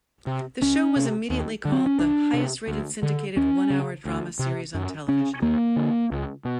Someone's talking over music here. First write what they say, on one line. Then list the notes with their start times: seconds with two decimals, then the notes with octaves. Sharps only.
The show was immediately called the "highest-rated syndicated one-hour drama series on television".
0.27 C3
0.61 C#2 C#4
0.96 C3
1.30 D#2
1.65 D3
1.72 C4
1.86 C#4
1.98 C2 D4
2.33 C3
2.67 D2
3.03 D3
3.36 D#2 C#4
3.70 C#3
4.05 D2
4.39 C3
4.74 F#2
5.08 C#3 C#4
5.42 D#2 A#3
5.76 D3
6.11 C#2
6.45 B2